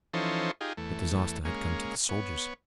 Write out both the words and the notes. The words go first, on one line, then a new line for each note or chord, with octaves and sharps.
But disaster had come to the soldiers.
E3 F3 C#4 D#4 A4 C5
D#4 F4 G4 G#4
E2 A3
G#3 A#3 C#4
B3 C#5